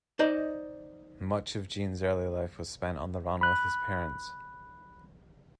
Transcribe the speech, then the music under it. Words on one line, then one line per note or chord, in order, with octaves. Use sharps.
Much of Jean's early life was spent on the run with his parents.
D#4 C5 D5 D#5
B5 F#6